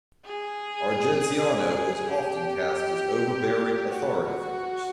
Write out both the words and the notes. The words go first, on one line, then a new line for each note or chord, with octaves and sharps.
Argenziano is often cast as overbearing authority figures.
G#4
G4
F#4